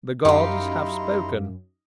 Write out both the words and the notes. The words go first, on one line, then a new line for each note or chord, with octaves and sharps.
The gods have spoken.
F#2 D#4 E4 G4 F5 A#5 C6